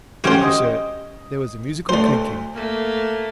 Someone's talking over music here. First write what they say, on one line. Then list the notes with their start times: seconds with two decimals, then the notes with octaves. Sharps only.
'Thank you, sir.' There was a musical clinking.
0.24 C#4 F#4 G4 C5 C#5
0.41 D#5
1.89 D2 A3 C5 D5
2.53 A3 A#3